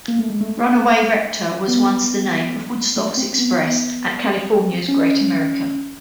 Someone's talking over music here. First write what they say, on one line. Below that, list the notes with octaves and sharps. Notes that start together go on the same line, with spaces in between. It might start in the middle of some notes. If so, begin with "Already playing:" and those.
Runaway Reptar was once the name of Woodstock's Express at California's Great America.
A#3
A3
G#3
A3
B3
A3
C4
B3
B3
C4
C#4